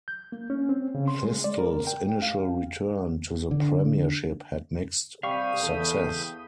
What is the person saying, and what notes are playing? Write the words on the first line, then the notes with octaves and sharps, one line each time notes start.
Thistle's initial return to the Premiership had mixed success.
G6
A#3
C#4
C4
C#3
C6
G#3
D5
A#4
G5
F5
D3
C3 G3 F5 G5 B5 C#6 D#6
E2 A4